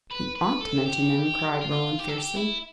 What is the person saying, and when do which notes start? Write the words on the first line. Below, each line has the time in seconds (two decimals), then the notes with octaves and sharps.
"He ought to mention them," cried Roland fiercely.
0.11 B4
0.35 B4
0.61 A4
0.86 G4
1.61 F4
1.99 G4
2.09 A4
2.18 G4
2.36 E4